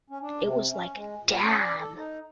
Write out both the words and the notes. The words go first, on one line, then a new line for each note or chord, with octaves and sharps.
It was like, 'Damn!
C#4
D4
C3
C#4
G#3
A#2
C#4
D5
A4
D#4